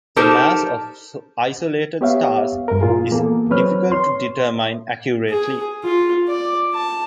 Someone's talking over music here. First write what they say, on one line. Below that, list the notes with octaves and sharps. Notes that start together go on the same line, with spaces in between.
The mass of isolated stars is difficult to determine accurately.
D#4 G4 A4 A#4 C5
B3 G4 C#5 E5 F5
G2 A#4
A#2 F4 G#4
E3 A#3 B3 G#4 A4
F#3 C4 B4 C#5 F6
C#5 C6
G#4
F4
D5
A5